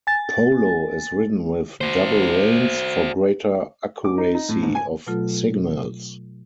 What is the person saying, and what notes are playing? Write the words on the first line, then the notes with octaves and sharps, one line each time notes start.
Polo is ridden with double reins for greater accuracy of signals.
G#5 A6
F#4 C5
D6
D#4
D#4
A2
G#2
G#5
B2 F#3 A3 F4 A4